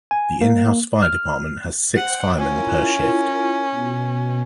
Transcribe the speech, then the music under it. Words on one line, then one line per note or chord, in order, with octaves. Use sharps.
The in-house fire department has six firemen per shift.
G#5
A#3
F6
C5 F#5 G5
C#4 E4 F4 A#4
B2